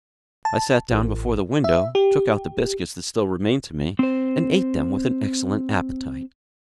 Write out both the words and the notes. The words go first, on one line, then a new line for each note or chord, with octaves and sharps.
I sat down before the window, took out the biscuits that still remained to me, and ate them with an excellent appetite.
A5
A1
E5
G4
C4 C5